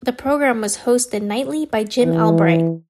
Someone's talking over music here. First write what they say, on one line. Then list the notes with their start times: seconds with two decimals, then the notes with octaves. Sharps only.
The program was hosted nightly by Jim Albright.
2.03 E3